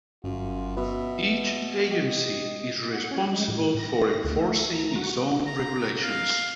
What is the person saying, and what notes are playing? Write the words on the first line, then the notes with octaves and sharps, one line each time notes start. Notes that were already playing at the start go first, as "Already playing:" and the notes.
Each agency is responsible for enforcing its own regulations.
G1 F#2 F4
B2 B4 E5
G4 D#5
F#5
C#4
G#3
A2
A#6
D2
A3
A#5
F#4
A#5
F5